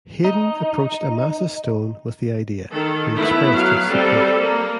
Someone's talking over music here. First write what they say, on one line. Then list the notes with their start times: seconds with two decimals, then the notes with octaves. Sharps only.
Haydn approached Amasa Stone with the idea, who expressed his support.
0.25 D#4
2.71 D#3 A4
3.16 A3 B3 E4
3.55 F#3 F5
3.89 G3 C4 A4
4.38 A#3